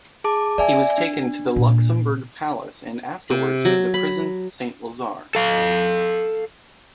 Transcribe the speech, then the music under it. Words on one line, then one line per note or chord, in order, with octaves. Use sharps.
He was taken to the Luxembourg Palace and afterwards to the Prison Saint-Lazare.
G#4 A5 D6
C4 D5 E5 G#5
D4
A#2
C3
F#3
B5
A4 F5